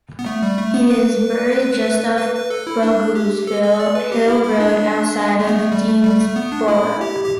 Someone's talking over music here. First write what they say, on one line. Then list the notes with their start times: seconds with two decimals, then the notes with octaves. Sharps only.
He is buried just off Bogusville Hill Road outside of Deansboro.
0.19 B3
0.26 A3
0.42 G3
0.58 A3
0.74 B3
0.90 B4
2.18 B4
2.35 B4
2.50 A4
2.67 E4
2.83 D4
3.15 G4
3.47 A4
3.63 A4
3.80 D5
3.95 B4
4.12 G4
4.28 E4
4.44 E4
4.60 D4
5.39 A3
5.47 B3
5.56 A3
5.72 G3
5.88 A3
6.04 G3
6.21 A3
6.36 B3
6.52 D4
6.68 E4
7.01 G4
7.24 G4